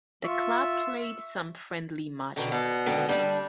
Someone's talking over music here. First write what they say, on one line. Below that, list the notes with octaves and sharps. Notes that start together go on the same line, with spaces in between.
The club played some friendly matches.
F4 E5 C#6
B2 D3 D#3
B2 D5
G#2 D3 D#3
D3 G3 D4